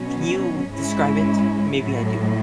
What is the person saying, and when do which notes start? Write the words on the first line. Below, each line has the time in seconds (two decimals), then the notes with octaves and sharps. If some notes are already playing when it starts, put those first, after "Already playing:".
Can you describe it? Maybe I do.
Already playing: B2 F#3 C#4
0.70 G#2 G#3 C#4 E4
1.77 A2 F#3 A3